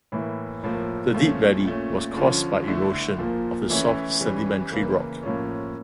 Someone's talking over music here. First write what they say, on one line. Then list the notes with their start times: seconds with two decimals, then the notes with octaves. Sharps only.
The deep valley was caused by erosion of the soft sedimentary rock.
0.12 A2 E3 A#3 E4
0.63 A2 F3 A#3
1.14 A#2 F3 A3 C#4
1.65 A#2 A3 C#4
2.16 D3 F3 C#4
2.68 D3 A3 E4
3.18 A#2 F3 A#3
3.70 E3 A3 C#4 E4
4.21 E3 G3 C#4
4.72 C#3 E3 A#3
5.23 A2 F3 A#3 C#4